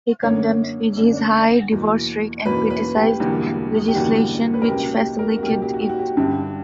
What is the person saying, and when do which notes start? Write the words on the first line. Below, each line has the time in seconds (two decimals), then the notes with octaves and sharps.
He condemned Fiji's high divorce rate, and criticized legislation which facilitated it.
0.23 F#2 D3 A#3 C#5
0.97 F#2 D3 A#3
1.72 E2 B2 F#3 A#3
2.45 E2 B2 F#3 A#3 B4
2.70 B4
2.95 G4
3.20 E1 E2 D3 G3 A#3
3.88 G4
3.95 E1 E2 D3 G3 A#3 F#4
4.54 B4
4.62 A#4
4.68 C#2 B2 F#3 A#3 G4
4.94 G4
5.19 A#4
5.38 F#4
5.42 C#2 B2 F#3 A#3 G4
5.62 G4
5.74 F#4
5.81 G4
5.89 F#4
5.99 G4
6.17 G1 G2 D3 G4